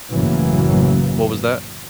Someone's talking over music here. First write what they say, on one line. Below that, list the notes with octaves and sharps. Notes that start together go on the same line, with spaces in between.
What was that?
A1 F#2 C#3 E3 F#3 A#3